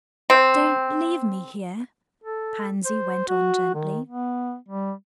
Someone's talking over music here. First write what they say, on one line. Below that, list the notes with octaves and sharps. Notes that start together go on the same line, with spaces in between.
"Don't leave me here," Pansy went on gently.
C4
A4
C5
F#4
D#3
B3
G3